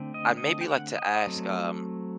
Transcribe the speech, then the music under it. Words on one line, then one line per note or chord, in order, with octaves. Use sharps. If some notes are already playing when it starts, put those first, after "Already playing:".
I, maybe, like to ask, um
Already playing: D3 A3 C4
D#5
D#5
G5
F#5
D#5
F#3 A3 C4